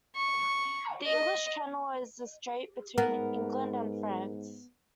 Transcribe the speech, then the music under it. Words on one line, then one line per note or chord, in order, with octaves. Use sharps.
The English Channel is the strait between England and France.
C#6
D#5
G#2 B3 A#4